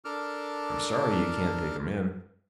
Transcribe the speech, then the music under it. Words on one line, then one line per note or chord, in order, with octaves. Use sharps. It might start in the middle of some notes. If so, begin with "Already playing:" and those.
I'm sorry you can't take him in.
D4 A4 A#4 A5 D6 F6